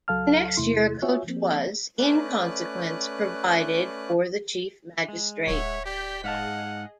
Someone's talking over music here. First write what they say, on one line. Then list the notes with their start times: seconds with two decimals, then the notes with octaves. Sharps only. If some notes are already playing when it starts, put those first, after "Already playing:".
The next year a coach was, in consequence, provided for the chief magistrate.
0.08 C#2 F#3 A4 F5 A5 F6
0.57 E2 C3 A3 E4 C6
1.02 F4 F#4 C#5 E5 G#5
1.27 F3 A#3 C4
1.99 A3 C#4 B4 D5 F#6
5.08 G#3
5.47 D1 C#5 E5 F#5
5.86 G4 D5 G6 B6
6.24 G#2 G#4 D#5 F5 F#5 A5